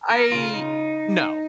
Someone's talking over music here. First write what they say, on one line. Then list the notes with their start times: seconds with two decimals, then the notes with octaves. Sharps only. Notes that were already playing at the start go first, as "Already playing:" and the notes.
I no.
0.10 A#4
0.31 C#3 F4
0.54 D#4